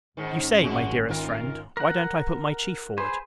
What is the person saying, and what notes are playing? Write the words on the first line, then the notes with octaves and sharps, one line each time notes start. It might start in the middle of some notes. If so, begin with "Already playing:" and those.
You say, my Dearest Friend, why don't I put my Chief forward?
G#1 G#2 D#3 C#4
F#2 G#3 F#4
D#3 F4 A#4
A#4 F#5
G#4 B4 C5